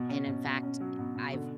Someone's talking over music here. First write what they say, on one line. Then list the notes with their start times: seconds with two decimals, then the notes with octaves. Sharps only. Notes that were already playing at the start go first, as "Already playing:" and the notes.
and in fact, I've
Already playing: B2
0.09 C#4
0.27 B2
0.45 B2
0.63 C#4
0.80 F#3
0.99 B2
1.16 B2
1.34 D3